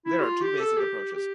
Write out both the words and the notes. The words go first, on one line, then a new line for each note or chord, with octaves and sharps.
There are two basic approaches.
E4
G4
F4
G4
A4
G4
G4